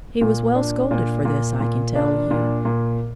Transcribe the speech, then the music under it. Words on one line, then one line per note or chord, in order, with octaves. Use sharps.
He was well scolded for this, I can tell you.
A#2
D4
A#2
A#2
A#2
D4
A#2
A#2